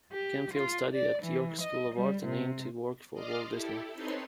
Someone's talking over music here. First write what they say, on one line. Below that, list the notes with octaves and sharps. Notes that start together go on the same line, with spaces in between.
Camfield studied at York School of Art and aimed to work for Walt Disney.
G4
F4
D5
E3
D#5
G3
C3
D5 D#5 C6 D6 D#6 F6
E4 G4 A4
C4 D#4 A4 B4 C#5 C6